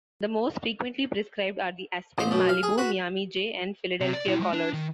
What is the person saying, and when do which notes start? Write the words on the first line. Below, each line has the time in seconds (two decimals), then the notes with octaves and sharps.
The most frequently prescribed are the Aspen, Malibu, Miami J, and Philadelphia collars.
2.18 A1 C5
2.31 F#2 B2
2.49 F5
2.63 G#4
2.78 F#4 B4
4.00 C3 C4
4.13 D5
4.26 B1 E4
4.40 F3 G#3
4.53 D4
4.73 D#3